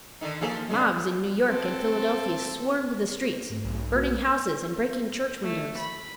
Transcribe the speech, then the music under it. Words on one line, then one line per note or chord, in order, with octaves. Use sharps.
Mobs in New York and Philadelphia swarmed the streets, burning houses and breaking church windows.
D3 D#3 D#4
F3 F#3 A#3 D#4 G#4 A4
G2 C#3 G#3
C4 A4
G#2 A3
B1
A#3 F#4
A3
B5